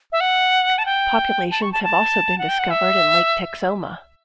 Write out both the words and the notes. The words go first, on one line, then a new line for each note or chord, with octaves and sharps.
Populations have also been discovered in Lake Texoma.
E5
F#5
A5
G5
A5
C#6
A5
A5
F#5
G5
F#5
E5